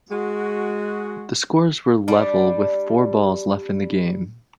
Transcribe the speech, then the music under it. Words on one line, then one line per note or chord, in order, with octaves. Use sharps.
The scores were level with four balls left in the game.
G#3 F#4
G3 D4